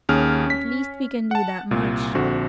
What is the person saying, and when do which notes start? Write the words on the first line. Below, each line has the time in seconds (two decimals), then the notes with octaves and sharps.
At least we can do that much.
0.09 D#2 C#4 G#4 F6
0.46 C#4 B6
1.31 F#5 A5
1.71 C2 A#2
2.15 A#1 D3 C4 F#4